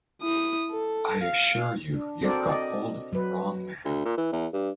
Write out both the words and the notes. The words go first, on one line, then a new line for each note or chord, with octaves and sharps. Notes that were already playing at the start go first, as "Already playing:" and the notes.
I assure you, you've got hold of the wrong man.
E4 D#6
A4
F5
D4
C4 F#4 A4 A#4 C5 D5
D5 D#5
F#3 B4
D2
A#2
E3
E2
G2